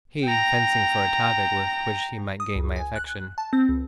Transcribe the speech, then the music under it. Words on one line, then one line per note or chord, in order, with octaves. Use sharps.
He fencing for a topic with which he might gain my affection.
G5 A#5
D#6
C#2
G#5
F#6
A5
C4
C#2